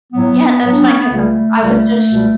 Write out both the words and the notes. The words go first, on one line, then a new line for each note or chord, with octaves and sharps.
Yeah, that's funny 'cause I I was just
A2 F#3 B3
A2 F#3
D4
C#4
B3
C#2 C#3 G3 A3
C#2 C#3 G3
C#2 B2 G3